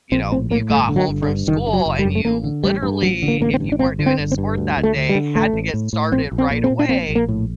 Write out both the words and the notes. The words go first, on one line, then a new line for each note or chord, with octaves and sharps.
you know, you got home from school, and you literally, if you weren't doing a sport that day, had to get started right away,
A#1 C4
A2 C4
A2 A#3
G1 A3
D3
F#3
G1
D3
G2
F#1 D#3
D3
F#3
F#1
G3
F#2
A3
A1 A#3
D3
A1 G3
G2
A1 F#3
D3
A#3
A1 A#3
C4
G2
D4
G1 C4
D3
C4
G1
C4
G2
D2
D2
A3
D3
G3
D3
A1 A3
A1
A2
A2
A#1 C4
A#1
C4
A#2
C4
A#2
D4
A#1 C4
A#1
A#3
A2